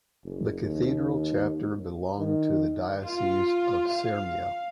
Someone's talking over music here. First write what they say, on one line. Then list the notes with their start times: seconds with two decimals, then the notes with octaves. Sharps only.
The cathedral chapter belonged to the Diocese of Syrmia.
0.24 F#1
0.62 D#2
2.18 D#3
3.03 F4
3.92 F5